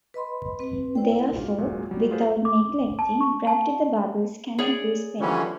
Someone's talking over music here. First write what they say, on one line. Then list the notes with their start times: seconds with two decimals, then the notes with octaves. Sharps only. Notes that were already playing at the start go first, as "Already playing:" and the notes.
Therefore, without neglecting gravity the bubbles cannot be spherical.
0.14 B4 D#5 B5 C6
0.59 C4 B4
0.95 E4 C5 D5 G5
1.12 E4 C5
1.34 G#2 F4 F#4
1.58 A#2 F#3 G#3
1.91 F#3 G3
2.11 F4 G#4 B4 C5
2.45 D6
2.99 A5
3.21 C#6
3.47 A5
4.59 G#4 C#5 D5
5.20 D3 E3 F3 G3 C#4